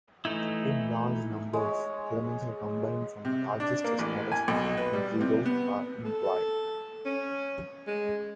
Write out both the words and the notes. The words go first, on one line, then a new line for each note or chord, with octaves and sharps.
In large numbers, elements are combined from largest to smallest, and zeros are implied.
E3 A3 D#4 E4
G#3 C#5
C3
D4
A#3
A1
G#5
B1
B4
G3
C3
B3
A4
C#4
G#3